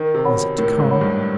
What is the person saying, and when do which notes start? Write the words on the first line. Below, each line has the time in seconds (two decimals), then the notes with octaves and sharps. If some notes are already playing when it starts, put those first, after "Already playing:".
Was it to come?
Already playing: D#3 A#4
0.14 C3
0.25 C#5 F#5 B5
0.36 B2
0.58 A2 A#4
0.79 G#2
0.91 C#5 F#5 B5
1.01 G2